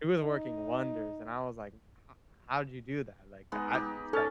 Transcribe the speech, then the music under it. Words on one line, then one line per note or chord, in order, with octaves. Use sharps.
It was working wonders, and I was like, "H how'd you do that? Like, I it's like,
D#4
G#3 B3 D#4
D#4 G4
C#4 A4 F6 A6